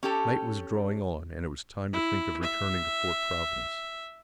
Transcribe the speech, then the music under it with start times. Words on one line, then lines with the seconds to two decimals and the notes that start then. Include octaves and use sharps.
Night was drawing on, and it was time to think of returning to Fort Providence.
0.03 C#4 G4 A4
1.93 E4
2.43 E5